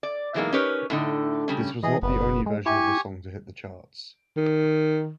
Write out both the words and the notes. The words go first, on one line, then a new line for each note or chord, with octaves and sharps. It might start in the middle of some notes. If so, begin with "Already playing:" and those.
This was not the only version of the song to hit the charts.
D5
B2 E3 F#3 G#3 A#3 D#4
C#4 D#4 G4 A#4 B4 C#5
A2 D3 D#4
C#3 G3 C#4
E3 G#4 D#5
F#1 B3
G#3
E4 G4 G#5 C#6
D#3